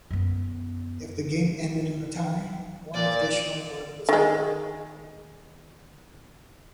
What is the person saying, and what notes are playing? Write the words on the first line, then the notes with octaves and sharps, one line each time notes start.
If the game ended in a tie, one additional word was played.
F#2 B3
A#2 D5
D#3 G#3